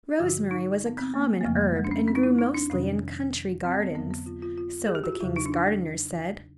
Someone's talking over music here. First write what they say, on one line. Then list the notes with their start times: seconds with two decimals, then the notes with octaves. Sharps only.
Rosemary was a common herb and grew, mostly, in country gardens, so the king's gardeners said.
0.20 G2 D3 F3 F#4
0.51 D#4
0.86 B3
0.98 C4
1.14 A#3
1.41 A#3
1.45 F2 C#3 F3 A3
1.61 G3
1.76 G#3
1.84 D4
1.91 C#4
2.08 C4
2.15 D#4
2.23 E4
2.39 D#4
2.54 D4
2.70 F2 C3 D#3 F#3 C#4
3.64 C4
3.80 B3
3.95 F2 D3 F#3 B3
4.11 B3
4.26 F4
4.42 F4
4.58 F4
4.87 G#4
4.95 G4
5.04 F#4
5.12 F4
5.21 E2 C#3 F#3 E4
5.36 D#4
5.46 D4
5.52 D#4